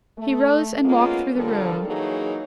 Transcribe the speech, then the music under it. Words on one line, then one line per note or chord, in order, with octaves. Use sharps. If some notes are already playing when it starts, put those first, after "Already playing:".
He rose and walked through the room.
A3
G#3 A#3 B3 C#4 F4
D3 F3 G3 A4 A#4
E3 F#3 A#3 D#4 G#4 C#5